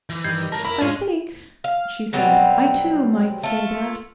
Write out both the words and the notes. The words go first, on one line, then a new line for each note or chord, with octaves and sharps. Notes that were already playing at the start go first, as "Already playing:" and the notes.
'I think,' she said, 'I too might say that.
E3
G2 D#3 G6 G#6 C7
C#2 A#4 A5 A#6
E4 A#4 B5
G#2 G#3 C#4 F4 G#5
F5
B2 F#3 G3 C4
A3 F4